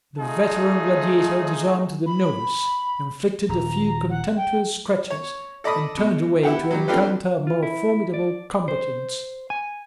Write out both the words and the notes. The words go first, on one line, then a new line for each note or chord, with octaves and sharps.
The veteran gladiator disarmed the novice, inflicted a few contemptuous scratches, and turned away to encounter more formidable combatants.
A3 D#4 F4 G#4
B5
D#1 A#5
F#5
G5
C#5
A4 D5 D#5 B5 D#6
B2
E4 G4 F#5 G5
F#3 G3
C4 D4 F4 G4 A4 B4
F4
E4
D5
C5
G#5